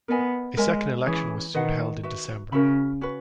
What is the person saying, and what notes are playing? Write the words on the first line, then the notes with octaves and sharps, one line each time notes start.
A second election was soon held in December.
B3 A#4 D#5 G#5
G#3 A#4 C#5 E5 G#5
E3 C#4 G#4 C#5
D#3 B4 D#5 F#5
F#4 B4 E5
C#3 F#4 A#4 E5 B5
C#4 F#4 B4